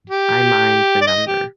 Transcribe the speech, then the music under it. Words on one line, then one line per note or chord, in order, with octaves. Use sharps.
I mind the number.
G4
D5
D#5
G4